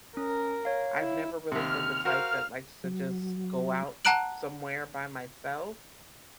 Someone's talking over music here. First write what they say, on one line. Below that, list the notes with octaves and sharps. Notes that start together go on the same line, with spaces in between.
I've never really been the type that likes to just go out somewhere by myself,
C#4 A#4
C#5 F5
E4
D#2 C3 F6
F#4 A#4 C5 F5
F#3
F#5 A5 A#5 F#6 D7 F#7